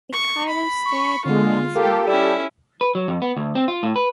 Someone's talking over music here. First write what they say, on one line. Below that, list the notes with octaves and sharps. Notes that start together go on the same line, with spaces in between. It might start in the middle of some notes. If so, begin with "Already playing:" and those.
Ricardo stared in amazement.
C#6
B5
C#6
D3 G#3 F4
A#3 G4 A4
G3 C#4 E4
B4
F#3
F2
B3
D2
C4
F4
A2
B4